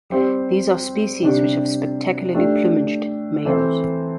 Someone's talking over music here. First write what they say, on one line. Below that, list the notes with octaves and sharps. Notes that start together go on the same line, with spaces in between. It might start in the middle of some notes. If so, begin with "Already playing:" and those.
These are species which have spectacularly plumaged males.
G3 C4 G4 C5
C3 G3 D4 G4
A3 D4 G4
E3 C4 A4 C5